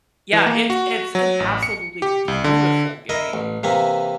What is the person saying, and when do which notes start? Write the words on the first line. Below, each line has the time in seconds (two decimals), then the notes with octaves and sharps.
Yeah, it's it's an absolutely beautiful game.
0.33 E3
0.46 A#3
0.70 F#4
1.15 F#3
1.40 A1
1.63 C#7
2.02 G4
2.28 C2
2.44 D3
3.09 E4 A#4 D#5 E5
3.33 A1
3.63 C3 E3 A#3 E5